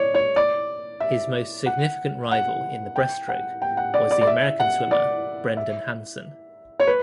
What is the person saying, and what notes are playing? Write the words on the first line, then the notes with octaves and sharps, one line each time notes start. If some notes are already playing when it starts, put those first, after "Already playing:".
His most significant rival in the breaststroke was the American swimmer Brendan Hansen.
Already playing: C#5 D5
C#5
D5
E5
F#5
F#5
G5
F#5
G5
F#5
D5
D5
D5
E5
F#5
D5
E5
C#5
B4